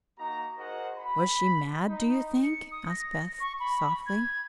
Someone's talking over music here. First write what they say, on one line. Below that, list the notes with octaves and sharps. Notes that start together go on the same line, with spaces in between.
"Was she mad, do you think?" asked Beth, softly.
A#3 D#4 F#4 A#5
F#4 G#4 A#4 C5 D#5 F#5
B5
D#4
C#7
D#6
A#6
C#6
B5
G#6